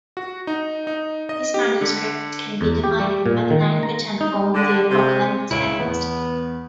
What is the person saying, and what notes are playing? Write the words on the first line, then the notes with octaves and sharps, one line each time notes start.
These manuscripts can be divided by the language and form of the Apocalypse text.
F#4
D#4
D#4
D#5
G4
D3
E2
G4
G3
A#2
D#3
A#5
D#4
D3
C3
C#2 E4 C#5 D7
E2 B3